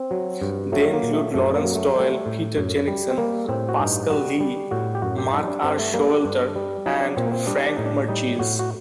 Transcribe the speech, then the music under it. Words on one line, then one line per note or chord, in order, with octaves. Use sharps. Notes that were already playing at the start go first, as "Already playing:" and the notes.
They include Laurance Doyle, Peter Jenniskens, Pascal Lee, Mark R. Showalter, and Franck Marchis.
Already playing: C4
F#3
G2
F#3 A3
A#3
A#2
A3
F#2 A3
A#3
F#3
A3
G3 A3
A2
F#2
G3
C4
G3 A#3
A2 C4
F#4
G2 D#4
G3 F#4
G3
A2 F#4
G4
F#2 F#4
G4
G3 D#4
D4
G2 C4
A3
G3 A#3
D4
G2
G3
F#3 D#4
D4
A#2 C4
A#3
C4
G3 D4
D#4
D4
A2 D#4
D4
G3 D#4
A2 F#4
F#4